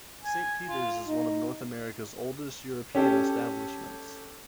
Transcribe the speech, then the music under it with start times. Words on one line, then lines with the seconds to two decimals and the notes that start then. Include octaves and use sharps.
Saint Peter's is one of North America's oldest European establishments.
0.23 G#5
0.65 F4
1.05 D#4
2.95 C#4 G4 A4